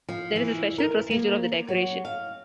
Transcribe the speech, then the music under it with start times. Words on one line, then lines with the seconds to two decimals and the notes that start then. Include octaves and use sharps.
There is a special procedure of the decoration.
0.09 F3
0.36 E3
0.78 A#4
1.11 A#3
1.68 F#3
2.05 F5